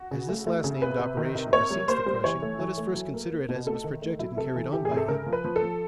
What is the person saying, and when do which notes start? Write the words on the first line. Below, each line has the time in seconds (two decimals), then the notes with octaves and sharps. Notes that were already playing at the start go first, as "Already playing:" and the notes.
As this last-named operation precedes the crushing, let us first consider it as it was projected and carried on by him.
Already playing: F#4
0.11 C#3
0.29 A3
0.47 A3
0.64 C#3
0.81 C3 B4
0.99 C3
1.17 D#3
1.35 C3
1.53 A#3 C#5
1.71 G3
1.88 A#3 C5
2.06 G3
2.24 E3 C#5
2.42 A3
2.59 E3
2.78 A3
2.95 F#3
3.14 A#3
3.31 A#3
3.49 B2
3.67 A3 A4
3.84 D#3
4.02 A3
4.19 F#3 E4
4.37 C3 A4
4.56 E3
4.73 E3 G4
4.85 G#4
4.91 C3
4.97 A4
5.08 C#3 A#4
5.26 F3
5.33 B4
5.45 F3
5.56 A4
5.62 F3